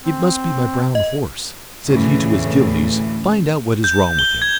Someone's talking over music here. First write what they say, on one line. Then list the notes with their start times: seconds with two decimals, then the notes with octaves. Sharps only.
"It must be my brown horse," said he to his gillies; "find out what is wrong with him."
0.03 C4
0.95 D#5
1.88 D2 A2 C#3 E3
3.84 G6
4.19 G7
4.42 G#6